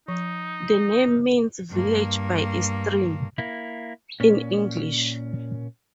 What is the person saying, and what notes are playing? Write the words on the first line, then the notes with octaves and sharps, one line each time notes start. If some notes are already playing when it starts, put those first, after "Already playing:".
The name means "village by a stream" in English.
F3 D#4
G2 A#3
A#3 E4
A#2 C#4